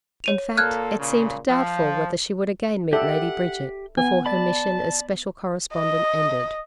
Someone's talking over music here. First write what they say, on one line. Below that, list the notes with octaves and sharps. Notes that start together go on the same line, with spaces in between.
In fact, it seemed doubtful whether she would again meet Lady Bridget before her mission as Special Correspondent ended.
C#5 D#7 F7
A#2 A#3 A4 F6 F#6 G#6
A#2 C#3
F3
G4 A4 D5 E5 F#5 G5 G6
B3 G#5
D5 A5 B5
D#5